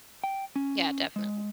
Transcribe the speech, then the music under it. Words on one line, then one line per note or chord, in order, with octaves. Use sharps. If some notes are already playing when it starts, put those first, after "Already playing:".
Yeah, definitely.
G5
C#4
G#3